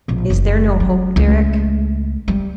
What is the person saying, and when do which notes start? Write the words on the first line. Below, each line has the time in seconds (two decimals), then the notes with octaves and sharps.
"Is there no hope, Deryck?"
0.08 A#1 B2
0.30 F#1 D#3
0.80 F#3 C#4
1.16 C#2 A3
2.28 G3